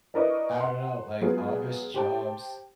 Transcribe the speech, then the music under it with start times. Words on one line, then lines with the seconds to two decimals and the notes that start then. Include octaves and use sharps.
I dunno. Like, office jobs
0.14 D4 E4 A#4 B4 D#5 C#6
0.60 F#5 C6
1.21 F#3 G#3 B3 F4 G#4
1.94 G4 C5 G5 A5